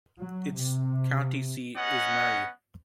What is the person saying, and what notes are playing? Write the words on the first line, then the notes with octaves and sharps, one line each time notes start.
Its county seat is Murray.
F#3
C3
B3 C#4 D#5 F#5